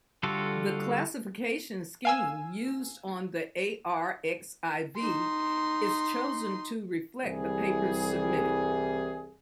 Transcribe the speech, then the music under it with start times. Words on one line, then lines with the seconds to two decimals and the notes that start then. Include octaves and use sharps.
The classification scheme used on the arXiv is chosen to reflect the papers submitted.
0.23 D3 G3 F4 F#4 A4
2.05 F5 G#5 E6
4.97 D#4 C6
7.25 C2 E3 G3 G#4